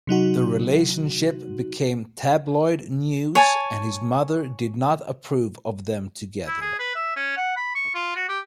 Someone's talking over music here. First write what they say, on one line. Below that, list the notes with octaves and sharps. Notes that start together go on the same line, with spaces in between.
The relationship became tabloid news and his mother did not approve of them together.
C3 F#3 D#4 F#4
C#5 G#5 A5
E4
G#4
B4
E5
C#4
F#5
B5
C#6
F4
F#4
G4